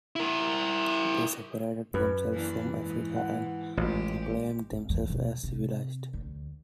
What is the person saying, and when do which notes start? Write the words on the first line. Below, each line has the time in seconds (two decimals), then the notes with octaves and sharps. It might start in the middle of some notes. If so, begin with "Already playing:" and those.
They separated themselves from Africa and proclaimed themselves as civilized.
0.16 E4 A#4
1.94 F#2 B4
2.33 E3 A#3 D4
2.72 G#2 E3
3.16 F#5
3.77 A1 G#3 F4 G4
4.71 G#1
4.89 E2
5.10 B2
5.43 C3
6.14 D2